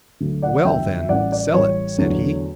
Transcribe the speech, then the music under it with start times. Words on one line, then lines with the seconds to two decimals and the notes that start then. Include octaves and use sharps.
"Well then, sell it," said he.
0.20 D2 D3 F#3 A3
0.42 D5 F#5
0.64 E2 D3 F#3 E5 G5
1.09 A1 A2 G3 C#4 E4 D5 F#5
1.32 D5
1.54 A1 A2 G3 C#5
1.98 E2 D3 F#3 A3 D4